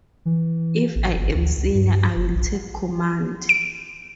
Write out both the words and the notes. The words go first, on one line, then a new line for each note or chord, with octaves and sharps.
If I am senior, I will take command.
E3
A1
G1
D2
C#2
G2
F#1
A#1
D7